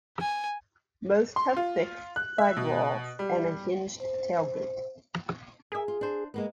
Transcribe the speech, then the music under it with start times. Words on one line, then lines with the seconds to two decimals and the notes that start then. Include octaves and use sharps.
Most have fixed side walls and a hinged tailgate.
0.21 G#5
1.36 C6
1.57 F4
2.16 F#6
2.38 E5
2.57 B2
3.19 G3
4.00 C5
5.72 G#4 A#4 E5
5.88 F4
6.01 D4 C5
6.34 G#3 A#3 B3